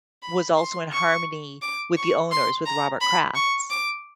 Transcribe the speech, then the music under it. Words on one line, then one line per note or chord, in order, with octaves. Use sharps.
was also in harmony with the owners, with Robert Kraft's,
B5
C6
C#6
D6
C#6
C6
A#5
B5
C#6
D6